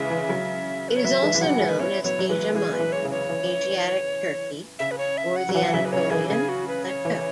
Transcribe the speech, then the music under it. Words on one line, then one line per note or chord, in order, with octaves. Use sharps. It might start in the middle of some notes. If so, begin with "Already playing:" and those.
It is also known as Asia Minor, Asiatic Turkey or the Anatolian Plateau.
Already playing: C#3 E3 G#3 E5
E3
C#3 F#3
B4
C#5
F#3 B3 E5
E3 G#3
E3
C#3 F#3 F#5
E3 G#3
B4
B3 E4 C#5
F#3 B3 C#5
F#3
E3 G#3 B4
E3 G#3 G#4
B4
E3
C#5
C#3
C#5
E3
C#3 E5
B4
C#5
E5
F#5
F#3
E3 F#5
C#3 F#3 E5
B4
C#3 C#5
E3 G#4
C#3 G#4
F#4
B4
C#5
E3